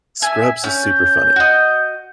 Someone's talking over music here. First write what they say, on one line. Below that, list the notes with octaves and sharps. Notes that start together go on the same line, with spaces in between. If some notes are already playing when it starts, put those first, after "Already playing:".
Scrubs is super funny,
E5 G#5
C#4 G6
F#4 D#5